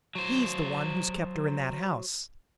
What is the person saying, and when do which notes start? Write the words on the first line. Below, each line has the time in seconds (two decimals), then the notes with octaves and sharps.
He's the one who's kept her in that house.
0.15 F#3 C5